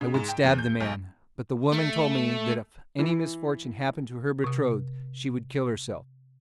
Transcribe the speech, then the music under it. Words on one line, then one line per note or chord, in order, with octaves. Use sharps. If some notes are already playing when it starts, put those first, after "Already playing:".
"I would stab the man, but the woman told me that if any misfortune happened to her betrothed, she would kill herself."
C#3
G#2
G5
E2
G6
B1
A3
E3
C3 D#6